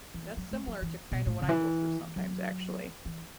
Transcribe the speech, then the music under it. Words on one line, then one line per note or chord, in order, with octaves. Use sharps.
that's similar to kinda what I go through sometimes, actually.
E3
F#3
A3
F#3
E3
B2
A2
C#3
E3
F#3
E3